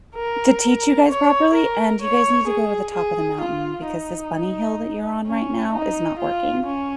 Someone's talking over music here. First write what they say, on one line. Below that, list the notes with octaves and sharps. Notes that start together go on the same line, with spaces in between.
to teach you guys properly, and you guys need to go to the top of the mountain because this bunny hill that you're on right now is not working,
A#4
C#5
A#4
C#5
G#4
G#4
F4
D#4
C#4
D#4
F4
C#4